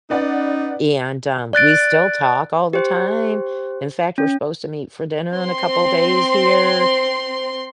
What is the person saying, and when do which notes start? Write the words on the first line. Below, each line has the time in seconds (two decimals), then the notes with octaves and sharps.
And, um, we still talk all the time. In fact, we're supposed to meet for dinner in a couple of days here,
0.10 C#4 D#4 B4 D5 F#5
1.53 D5 F#6 A6 D7
2.73 G4 C5
4.18 C#4
5.32 C4 C6